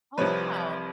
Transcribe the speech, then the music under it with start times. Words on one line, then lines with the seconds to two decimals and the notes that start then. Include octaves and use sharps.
Oh, wow!
0.18 C2 C3 F3 B4 C#5